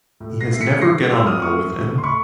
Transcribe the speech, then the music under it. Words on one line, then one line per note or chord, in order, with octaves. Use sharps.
He has never get on well with him.
A2
A#6 C7
A3 C7
B6 C#7
A2 A#6 C7
F#3 D6 E6
D#6 F6
A3 C#6 D#6
A2
C6
A2 B5 C#6